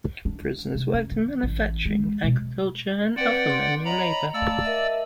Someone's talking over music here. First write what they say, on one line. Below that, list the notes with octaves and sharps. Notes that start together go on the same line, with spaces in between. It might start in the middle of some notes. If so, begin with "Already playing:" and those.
Prisoners worked in manufacturing, agriculture and other manual labor.
D4
C3
F#2
D#3
A1
G#3
B2
C4 B4 D5 F#5 G5
C6
C#5 D#5 A#5 B5
A3 D5 F5 A5 E6
A#4 D#5 E5